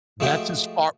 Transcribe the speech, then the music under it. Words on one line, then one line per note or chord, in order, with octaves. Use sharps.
That's as far
F3 G#3 A3 F#4 G5